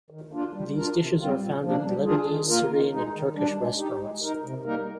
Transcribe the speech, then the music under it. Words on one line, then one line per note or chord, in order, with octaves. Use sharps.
These dishes are found in Lebanese, Syrian, and Turkish restaurants.
D#3
A#3 D4 F4
G3
D4 F4 A#4
C3
G3 C4 F4
A#2
F3 A#3 D4
G3
D4 F4 G#4
D#3
A#3 F4 A#4
D#3
G#3 D#4
D#3
G3 D4
G#3
D#4 G4
G#3
D#4 A#4
C3
G3 A#3 D#4 A#4